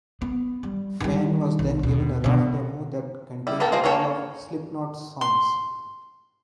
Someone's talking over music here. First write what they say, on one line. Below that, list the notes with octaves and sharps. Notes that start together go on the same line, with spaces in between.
Fehn was then given a rough demo that contained all of Slipknot's songs.
B3
G3
D#3 G3
B1
D#2 B2
B2 D3
G3 E4
A#3 B3 A4 A#4 G5
F3 A#3 F4 G#4 C5
A#3 G#4 A4 C#5 G5
C6